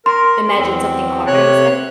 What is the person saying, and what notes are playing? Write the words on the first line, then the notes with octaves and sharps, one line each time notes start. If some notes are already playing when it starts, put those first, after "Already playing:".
Imagine something harder, you said?
A#4 C6
E2 C4
C3 C#5 F#6